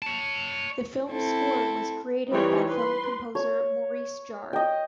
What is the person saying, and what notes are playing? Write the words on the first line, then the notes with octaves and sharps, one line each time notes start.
The film's score was created by film composer Maurice Jarre.
C#5 A5
C4 E4 A4
E3 G3 C4 D#4 G4 C#5
B4 C6
C#5
D#5 G5